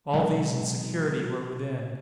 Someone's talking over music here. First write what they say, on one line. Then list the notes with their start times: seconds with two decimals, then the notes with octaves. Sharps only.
All these and security were within.
0.13 B2 F#3 G#3